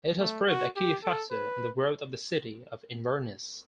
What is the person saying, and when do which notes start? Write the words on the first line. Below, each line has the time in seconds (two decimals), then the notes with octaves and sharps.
It has proved a key factor in the growth of the city of Inverness.
0.20 A3
0.48 F#4
0.76 G4
1.04 A4
1.31 B4